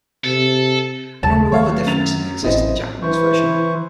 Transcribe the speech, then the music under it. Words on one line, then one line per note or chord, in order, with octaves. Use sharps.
A number of other differences exist in the Japanese version.
C3 A4
D#2 C#3 A5
D#3 F#3 A3 C#5 F5 C#6
F#2 A6 F7
A1 C4 C#4 E4 C5 D#5
E3 E4 B4 C5 C#6